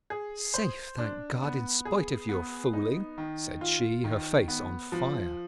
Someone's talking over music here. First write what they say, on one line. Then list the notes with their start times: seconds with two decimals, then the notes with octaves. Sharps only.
"Safe, thank God, in spite of your fooling!" said she, her face on fire.
0.10 G#4
0.54 C5
0.98 D4
1.42 B3
1.85 G#4
2.29 B3
2.73 D#4
3.18 D#3
3.61 F4
4.04 D#3
4.48 B3
4.92 F3